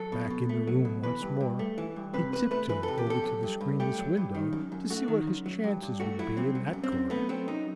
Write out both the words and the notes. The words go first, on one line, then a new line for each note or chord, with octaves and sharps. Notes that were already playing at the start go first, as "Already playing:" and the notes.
Back in the room once more, he tiptoed over to the screenless window to see what his chances would be in that quarter.
Already playing: F#3 A4
B2
B2
A3
F#3
B2
E3 B4
G2
G2
A3
E3
G2
C3 B4
E2 B4
A3 B4
E3 B4
C3 A4
G4
E2 A4
F#3
G2
G2
A3 G4
F#3
G2
D#3
F#2
F#2
A3 F#4
D#3
F#2
F#3
G2
G2
A3 F#4
F#3 E4
G2 C4
F#3
F#2
C4
F#2
A3 B3
F#3 C4
F#2 D#4